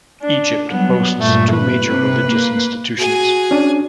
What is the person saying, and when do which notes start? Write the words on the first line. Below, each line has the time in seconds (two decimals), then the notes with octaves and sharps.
Egypt hosts two major religious institutions.
0.22 D4
0.70 F#3 G3 B3
1.20 G2 A#2 A3
1.54 B4
1.89 C3
2.26 A#3
2.98 F#4 G#4 G#5
3.51 C#4 D4